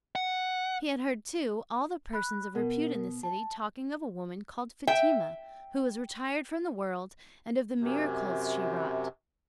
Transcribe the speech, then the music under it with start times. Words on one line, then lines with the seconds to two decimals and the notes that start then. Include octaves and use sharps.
He had heard, too, all the persons of repute in the city talking of a woman called Fatima, who was retired from the world, and of the miracles she wrought.
0.15 F#5
2.13 B5 F#6
2.55 B2 A#4
3.23 A5
4.87 E5 G5
7.79 F#2 C3